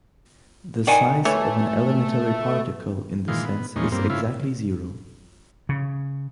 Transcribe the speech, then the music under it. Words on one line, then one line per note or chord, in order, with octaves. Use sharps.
The "size" of an elementary particle, in this sense, is exactly zero.
D#3 D5 F#5 G#5
E3 A3 C#5
A#2 D#3 E3 G#3 F4
B3
E2 A#2 F3 G#3 C#4 D#4
G2 A#3 C4
C#3 E4 F4
C#3